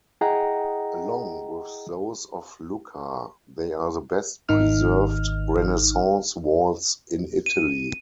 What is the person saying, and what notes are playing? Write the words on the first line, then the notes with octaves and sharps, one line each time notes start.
Along with those of Lucca, they are the best preserved Renaissance walls in Italy.
E4 G#4 D#5 F#5 G5 A#5
G#1 D#3 D#4 F6
D#7